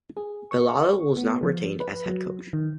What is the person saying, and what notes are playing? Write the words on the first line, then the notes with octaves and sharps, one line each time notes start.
Belisle was not retained as head coach.
G#4
C#6
B3
F3
B4
F#3
D#3